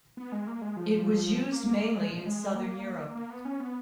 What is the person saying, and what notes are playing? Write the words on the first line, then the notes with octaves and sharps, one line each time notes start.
It was used mainly in southern Europe.
B3
G#3
A#3
G#3
F3
A#3
A#3
G#3
F3
G#3
A#3
A#3
B3
C#4
B3